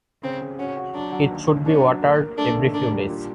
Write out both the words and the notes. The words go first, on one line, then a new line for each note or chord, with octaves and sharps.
It should be watered every few days.
C#3 C4
C#3
C#4 F#4
F#4
F#3 D4
F#3
D#2
D#2
C#4 D4
F#3
A#3
A#3
A3 D4
D#2
A#3 D4
G3
A#2